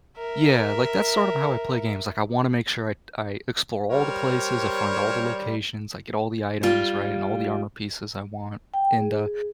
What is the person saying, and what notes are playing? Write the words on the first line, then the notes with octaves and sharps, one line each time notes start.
yeah, like, that's sort of how I play games, like, I wanna make sure I I explore all the places, I find all the locations, I get all the items, right, and all the armor pieces I want, and, uh,
A#4 E5
G3 A#4 C5 C#5
G3 F4
G5
G#4